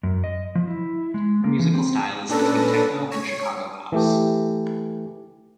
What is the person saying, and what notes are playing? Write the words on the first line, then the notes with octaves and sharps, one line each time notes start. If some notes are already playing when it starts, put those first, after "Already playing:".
Her musical style is between techno and Chicago House.
F#2
D#5
F3
E4
G#3
A#3
E3
C4
A#2 C#4 D4 A4 B4 A#6
C#5
E3 A3 G4